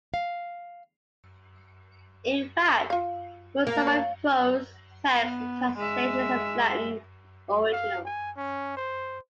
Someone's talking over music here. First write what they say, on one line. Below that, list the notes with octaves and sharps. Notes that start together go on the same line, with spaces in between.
In fact, most surviving prose texts are translations of Latin originals.
F5
F4 F5
A#3
C#5
B3
G#3 E5
F5
G#5
C#4
C5